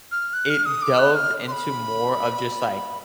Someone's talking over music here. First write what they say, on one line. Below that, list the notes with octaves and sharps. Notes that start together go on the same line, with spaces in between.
it delved into more of just, like,
F6
F#6
F6
D#6
D6
F#6
F6
C6
B5